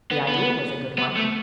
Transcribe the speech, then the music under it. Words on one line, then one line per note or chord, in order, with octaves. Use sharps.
The idea was a good one.
B3
B3
B3
A3